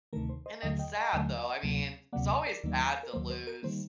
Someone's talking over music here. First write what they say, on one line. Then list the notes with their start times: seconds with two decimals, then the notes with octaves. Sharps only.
And it's sad, though. I mean, it's always sad to lose
0.13 D2 C3 D#3 A3 A#4
0.29 C5
0.46 C5 D#5
0.62 D#2 D3 F#3 A3 D#5 G5
0.79 D#5 G5
0.96 D#5 G5
1.13 D#2 D3 F#3 A3
1.63 D2 C3 F#3 A#3
2.13 D2 C3 F#3 A#3 D5 F#5
2.47 A#4 D5
2.64 D#2 D#3 F#3 A#3
3.03 A#4
3.13 D#2 D#3 F#3 A#3 C5
3.30 C5
3.47 A#4
3.63 D#3 G3 A#3 C5